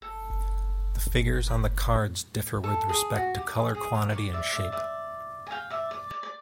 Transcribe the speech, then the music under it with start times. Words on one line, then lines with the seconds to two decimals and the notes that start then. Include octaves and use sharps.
The figures on the cards differ with respect to color, quantity, and shape.
0.02 A4
2.64 A4
2.89 G#4
3.15 F#4
3.36 G4
3.55 G#4
3.75 G#4
3.95 A#4
4.10 C#5
4.14 D5
4.33 D5 E5
4.53 D5 E5
4.72 D5 E5
5.47 G#5
5.51 F5 G5
5.70 D5 E5
5.91 D5
6.11 D5
6.23 D5